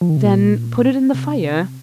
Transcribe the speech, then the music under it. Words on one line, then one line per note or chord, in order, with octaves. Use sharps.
"Then put it in the fire."
F3
D#3
C3
A#2
C3